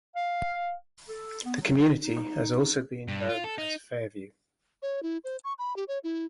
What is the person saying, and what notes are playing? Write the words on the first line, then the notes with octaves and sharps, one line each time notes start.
The community has also been known as Fairview.
F5
A4
B3
F#3
D#4
G2
F4
A4
D#4
C#5
E4
C5
C#6
B5
G4
C#5
E4